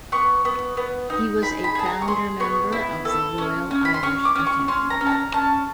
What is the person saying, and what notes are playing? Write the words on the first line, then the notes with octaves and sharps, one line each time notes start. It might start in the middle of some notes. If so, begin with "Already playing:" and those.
He was a founder-member of the Royal Irish Academy.
B3 C#6
B3
B3
D#4
G#4 B5
B5
G#4 A5
A#5
C#6
G#4 C6
B3 C#6
E4
A4
C#4
C#4
B5
C6
C#4 C#6
D6
C#4
C#6
C#4 C6
A#5
C#4
A5
A#5
C#4 A5